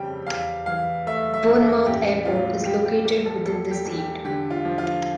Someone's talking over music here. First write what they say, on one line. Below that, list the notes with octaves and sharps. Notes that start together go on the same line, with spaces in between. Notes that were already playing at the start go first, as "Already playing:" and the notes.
Bournemouth airport is located within the seat.
Already playing: F1 F2 C#3 G3 G5
E2 F5
E3 F5
A3 E5
E5
E2
A4
A1 G4
A2 F4
G3 G4
G4
A#3 G4
A4
E1 A4
G4
E2
G4
D3 G4
F4
F3
F4